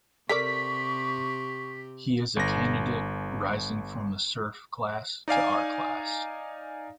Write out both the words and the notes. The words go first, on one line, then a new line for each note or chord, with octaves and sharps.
He is a candidate, rising from the serf class to our class.
C3 G4 A4 A#4 D5 C#6 B6
G1 A#6
D#4 D5 F5 G#5